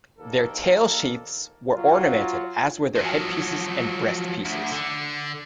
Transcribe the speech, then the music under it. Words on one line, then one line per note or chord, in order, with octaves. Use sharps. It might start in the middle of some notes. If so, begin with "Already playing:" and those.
Their tail sheaths were ornamented, as were their headpieces and breastpieces.
A#1 D#2 A#3 A4 A#4
F#3 F4
F3 F#3
D2
D3